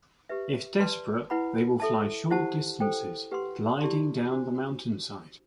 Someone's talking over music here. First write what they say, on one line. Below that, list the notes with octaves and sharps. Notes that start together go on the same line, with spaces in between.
If desperate, they will fly short distances, gliding down the mountainside.
G4 B4 E5
B4 D5 A5 C6
E4 B4 F#5 B5
A4 E5 A5
E4 G4 C5 F#5 A5
A4 C5 G5
G4 B4 F#5 C6
E4 G4 D5 A5 C6
D4 F#4 C5